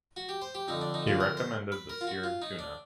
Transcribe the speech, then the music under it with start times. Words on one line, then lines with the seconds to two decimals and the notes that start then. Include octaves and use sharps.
He recommended the seared tuna.
0.16 F#4
0.29 G4
0.42 C5
0.55 G4
0.68 F2 D3 D#4
0.81 D4
0.94 D#4
1.07 F4
1.20 A#4
1.37 C5
1.72 B4
1.89 A#4
2.01 F4
2.07 F#4
2.24 F4
2.42 D#4
2.59 D4